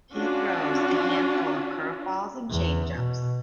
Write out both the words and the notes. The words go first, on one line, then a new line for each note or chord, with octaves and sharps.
He throws a handful of curveballs and changeups.
C#4 D4 F4 F#4
E2
B2